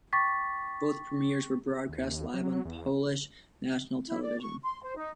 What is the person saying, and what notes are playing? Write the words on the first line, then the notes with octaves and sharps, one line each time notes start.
Both premieres were broadcast live on Polish national television.
G5 C#6 D6 A6 B6
D#2
F#3
E2
E4
D5
C#6
C6
C5
D#4